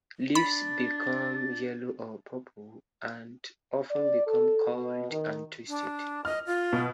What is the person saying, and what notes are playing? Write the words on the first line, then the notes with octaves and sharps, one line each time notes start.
Leaves become yellow or purple and often become curled and twisted.
D4 B5 A6
D5
A4
B2
D#3
D4
D#5 F6
F4
B2